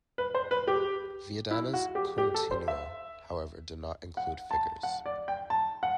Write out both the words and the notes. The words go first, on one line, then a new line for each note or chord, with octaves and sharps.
Viadana's continuo, however, did not include figures.
B4
C5
B4
G4
E4
F#4
G4
G4
A4
C5
E5
F#5
A5
F#5
D5
G5
A5
F#5